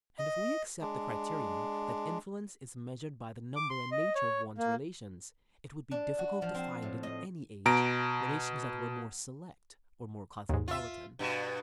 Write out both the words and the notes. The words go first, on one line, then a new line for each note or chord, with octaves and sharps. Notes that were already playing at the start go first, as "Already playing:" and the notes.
And, if we accept the criterion that influence is measured by the number and nature of one's relations, it would be difficult to find in any age relations that were more select or more cosmopolitan.
D#5
G#3 D4
D6
C6
D#5
C#5
A#3
D4
F#4
F3
C4
A2
D#5
B2 A#5 D7
D#2 G#2
F4 E5
G2 B2